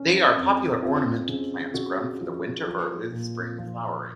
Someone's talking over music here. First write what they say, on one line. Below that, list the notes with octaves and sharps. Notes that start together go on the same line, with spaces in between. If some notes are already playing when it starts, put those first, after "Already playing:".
They are popular ornamental plants grown for their winter or early spring flowering.
Already playing: C#4
F2
C4 F4
C#3
C#3 F#4
F3
F3
A#2
F3 F4